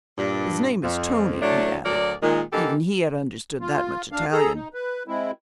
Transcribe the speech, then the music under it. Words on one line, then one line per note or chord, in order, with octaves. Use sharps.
'His name is Tony,' he added--even he had understood that much Italian.
G2 A#2 D4
F2
A2 F#3 A3 C#4 D4
D2 F#3 A#4 D5
A#2 D#3 G#3
D3 E3 A#3 D#4 G4 A4
F4
D2 D4 F5
G#4 A4 A#5
D#4
B4
G#3 C4 E4